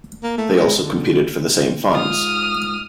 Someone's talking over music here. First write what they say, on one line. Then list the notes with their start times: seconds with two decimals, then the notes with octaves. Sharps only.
They also competed for the same funds.
0.23 A#3
0.38 A3
0.56 G#3
0.82 D3
1.95 G#2 F4 D#6 F6